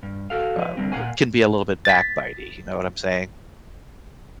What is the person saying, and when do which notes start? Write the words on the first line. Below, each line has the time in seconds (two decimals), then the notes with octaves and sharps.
um, uh can be a little bit backbitey, you know what I'm saying?
0.03 G2
0.30 F#4 A4 F5
0.57 F3 B4
0.77 D3 G3 C4
0.92 A#2 A3 F5 F#5 G#5
1.85 A6 B6